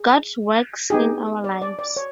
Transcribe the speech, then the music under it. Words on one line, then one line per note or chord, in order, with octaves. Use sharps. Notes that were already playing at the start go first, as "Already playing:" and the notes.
God works in our lives.
Already playing: G#4
B3 D#4 G4 G#4
D5
D5
D5
C#5